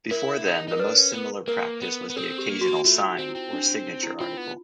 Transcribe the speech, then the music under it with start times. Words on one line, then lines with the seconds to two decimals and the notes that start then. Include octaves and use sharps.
Before then, the most similar practice was the occasional "signed" or "signature" article.
0.11 E4 A#4
0.46 D#4
0.68 D#4 A#4
0.79 D4 B4
0.97 C#4
1.13 B3
1.48 A#3 A#4
1.82 B3
2.10 B3
2.16 C4 A4
2.38 G4
2.50 A#3
2.61 F#4
2.85 A3 F4
3.08 D#4
3.19 C4
3.30 C4 E4
3.53 D4
3.70 D4
3.87 D#4
4.04 E4
4.20 C4 F4
4.37 B3